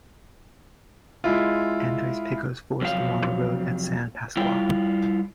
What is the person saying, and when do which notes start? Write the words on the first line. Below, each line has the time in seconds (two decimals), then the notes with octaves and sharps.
Andres Pico's force along the road at San Pasqual.
1.24 G#3 E4 F4
2.82 F2 C3 F3 F#3 F5
4.37 G3 E4 F4 G5